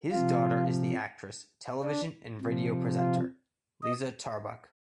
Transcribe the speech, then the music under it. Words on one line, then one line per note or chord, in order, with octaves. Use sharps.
His daughter is the actress, television and radio presenter, Liza Tarbuck.
C3 F3 F4
D4
C3 F3
F4
D#5